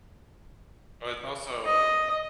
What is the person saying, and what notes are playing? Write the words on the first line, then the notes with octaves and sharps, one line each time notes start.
But it's also um,
D#5